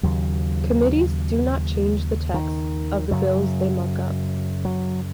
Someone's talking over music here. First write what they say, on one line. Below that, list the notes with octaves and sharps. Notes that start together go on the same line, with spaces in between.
Committees do not change the texts of the bills they mark up.
D#2 C#3 F#3
D#3
F#2 C#3 F#3
F#3